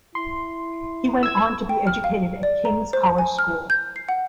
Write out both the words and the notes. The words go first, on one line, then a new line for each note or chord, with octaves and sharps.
He went on to be educated at King's College School.
E4 C6
E6 G#6
G5
F6
F5
D5
A#5
C5
G#5
F6
G6
C7
F#5